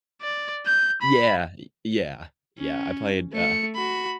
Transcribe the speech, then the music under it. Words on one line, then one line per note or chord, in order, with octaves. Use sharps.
Yeah, y yeah, yeah, I played uh
D5
G6
B5
C#4
A3 C#7
F#4 B5